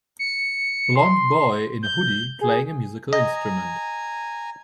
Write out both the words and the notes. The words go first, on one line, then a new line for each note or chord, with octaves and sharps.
Blond boy in a hoodie playing a musical instrument.
C#7
C6
G6
G#4
D#5 G#5 A#5